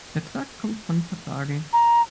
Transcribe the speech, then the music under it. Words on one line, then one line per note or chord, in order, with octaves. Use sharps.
Vertrag kommt von vertragen.
A#5